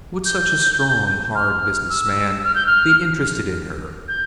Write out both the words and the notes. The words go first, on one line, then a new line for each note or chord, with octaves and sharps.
Would such a strong, hard business man be interested in her?
G6
F6
E6
F6
G6
F6
G6